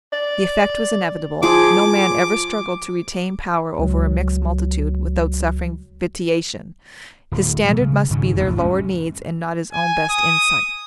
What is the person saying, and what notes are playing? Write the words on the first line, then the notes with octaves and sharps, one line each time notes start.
The effect was inevitable. No man ever struggled to retain power over a mixed multitude without suffering vitiation; his standard must be their lower needs and not his own best insight.
D5
F3 G#4 D6
C#2 F#3
D1
B2 E3 F#3 G3
C#3
G#1 G#2 C#3
E1 A#1 A2
E1 F#2 G#3 C#4
G#5
D#6